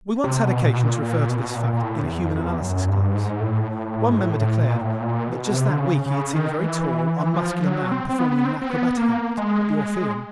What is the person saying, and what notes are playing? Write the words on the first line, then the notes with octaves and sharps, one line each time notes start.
We once had occasion to refer to this fact in a Human Analysis Class. One member declared that just that week he had seen a very tall, unmuscular man performing in an acrobatic act at the Orpheum.
C3
B2
A#2
B2
A#2
A#2
B2
A#2
B2
A#2
A#2
A2
E2
F2
F2
E2
F#2
G2
G#2
A2
G#2
A2
A2
A#2
A2
A#2
B2
C3
D3
C#3
C#3
D#3
E3
E3
F3
F#3
C4
C4
B3
C4
C4
B3
A#3
G#3
G#3